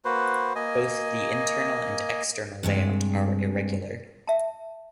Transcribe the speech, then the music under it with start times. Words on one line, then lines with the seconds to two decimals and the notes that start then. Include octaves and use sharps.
Both the internal and external layout are irregular.
0.05 A#3 F#4 B4 C5
0.55 A#3 D#5 G#5
2.63 G2 C3 G#3
4.27 E5 A5